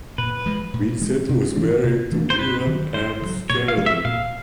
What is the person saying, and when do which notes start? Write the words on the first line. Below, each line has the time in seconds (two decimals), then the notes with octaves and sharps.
Vincent was married to William M. Sterling.
0.18 A#2 B4
0.46 F3 G#3
0.74 A#2
1.01 F3 G#3
1.29 C3
1.56 E3 A3 D4
1.84 C3
2.12 E3 A3 D4
2.30 C5
2.39 G2 B4
2.67 D#3 F#3
2.94 G2 C5
3.22 D#3
3.26 F#3
3.50 A#2 C#5
3.68 F5
3.77 F3 G#3
3.86 E5
4.05 A#2 F5